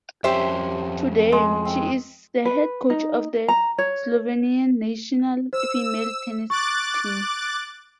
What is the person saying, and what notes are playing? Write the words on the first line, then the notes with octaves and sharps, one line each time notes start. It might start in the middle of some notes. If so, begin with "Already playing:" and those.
Today, she is the head coach of the Slovenian national female tennis team.
F2 C#4 G4 C5 E5
G#3
C4
B4
D#4
A#5
C#5
C5 E6
C#6 D6 F#6 A6